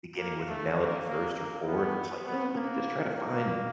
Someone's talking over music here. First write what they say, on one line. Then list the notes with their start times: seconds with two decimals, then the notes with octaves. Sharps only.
beginning with a melody first or chords. It's like, "You know what? Let me just try to find
0.18 A#3
0.48 A3
0.78 A#3
1.08 A#3
1.37 A#3
1.67 B3
2.26 B3
2.55 A#3
3.15 A#3